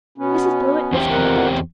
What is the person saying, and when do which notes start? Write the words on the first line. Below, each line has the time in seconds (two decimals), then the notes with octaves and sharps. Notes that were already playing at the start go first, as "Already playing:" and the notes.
Mrs. Blewett, Miss Cuthbert.
0.18 B2 B3 C#4
0.92 E2 C4 G4
1.10 F2 A#4 F#5